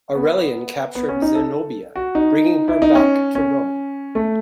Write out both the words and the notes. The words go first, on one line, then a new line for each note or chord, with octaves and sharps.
Aurelian captured Zenobia, bringing her back to Rome.
B3
B3
C#4
D#4
A4
F#4
D#4
E4
D#4
C#4
C#4
A3